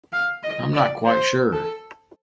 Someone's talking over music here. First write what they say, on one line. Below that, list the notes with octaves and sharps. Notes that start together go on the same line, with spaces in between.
I'm not quite sure.
F5
D#5
D5
C5
A4